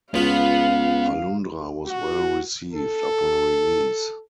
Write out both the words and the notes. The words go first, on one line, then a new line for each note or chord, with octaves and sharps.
"Alundra" was well received upon release.
C#2 B3 F4 F5
F#4
A4